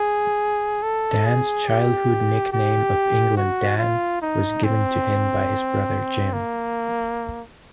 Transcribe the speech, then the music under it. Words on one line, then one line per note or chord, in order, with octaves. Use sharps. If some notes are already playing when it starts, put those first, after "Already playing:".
Dan's childhood nickname of "England Dan" was given to him by his brother Jim.
Already playing: G#4
A4
G#4
G4
G4
F#4
F4
D#4
C4
A#3